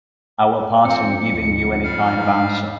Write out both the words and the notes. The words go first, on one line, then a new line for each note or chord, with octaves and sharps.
I will pass on giving you any kind of answer.
F2 C4 C#7
D2
G3 F5 F6
G#2